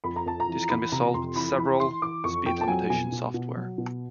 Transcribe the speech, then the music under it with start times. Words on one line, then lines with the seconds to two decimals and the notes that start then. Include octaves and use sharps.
This can be solved with several speed limitation software.
0.04 F2 B5
0.16 A#5
0.26 F2 A5
0.40 A#5
0.48 E3
0.70 E3 B5
0.92 C3 A#5
1.14 F2 C6
1.36 E3 B5
1.58 E3 B5
1.80 E3 C6
2.02 E3 D6
2.24 F2 C#6
2.46 F2 G5
2.61 A5
2.68 F#3 G#5
2.90 B2 G#5
3.12 B2
3.34 B2
3.56 F#3
3.78 B2